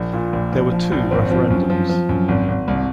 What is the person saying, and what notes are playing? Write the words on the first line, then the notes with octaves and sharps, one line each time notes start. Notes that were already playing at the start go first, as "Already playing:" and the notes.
There were two referendums.
Already playing: A#1 A#3
A#2
A#1
A#1
F3
A#1
G#1 C4
F3
F#2
F3
F3
F#2
G#1
G#1
C2